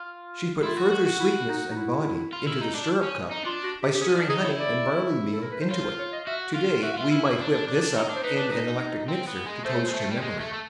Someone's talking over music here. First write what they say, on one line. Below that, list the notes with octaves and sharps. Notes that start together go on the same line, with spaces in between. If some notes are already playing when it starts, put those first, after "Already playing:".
She put further sweetness and body into the stirrup cup by stirring honey and barley meal into it. Today we might whip this up in an electric mixer to toast her memory.
Already playing: F4
E4 F4
F#4
F#4
F#4
E4
D#4
D#4
E4
F4
E4
D#4
D4
C#4
D#4
D4 F4
F#4
G4
G4
C#4 G#4
D4
D#4 G#4
E4 C#5
D5
A4
A#4
B4
C5
F4 C#5
C5
C#5
D#5
F#4 E5
F4 F5
F#4 E5
F5
F4 E5
E4
E4
D4
D4
D4
D4
D#4 C#5
D4
C5
D#4 B4
D4
D#4
C4
B3
G#3
A3 C5
C#5
C5
G#3
A3
G3
G#3
A3
A3